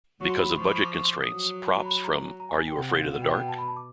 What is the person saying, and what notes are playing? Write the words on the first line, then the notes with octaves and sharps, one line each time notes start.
Because of budget constraints, props from Are You Afraid of the Dark?
F#3 C#6
C6
B5
C6
F3 C#6
B5
C#6
D6
C#6
C6
D6
D#6
F#3
A5
A#5
B5
A#5
A#5
G#5
G5
C3 F#5
F#5
F5
B2 F#5
G5
F#5
G5
A5
B5
A5
D6